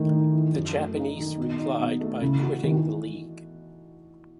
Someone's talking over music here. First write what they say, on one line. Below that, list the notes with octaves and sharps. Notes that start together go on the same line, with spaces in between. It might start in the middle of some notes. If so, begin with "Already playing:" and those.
The Japanese replied by quitting the League.
Already playing: A2 D#3 A3
D#4
E3
F#2
A3
D#4
D#3
B2
D#4
B2
A3
C#3 E3
F#4
D#3 E3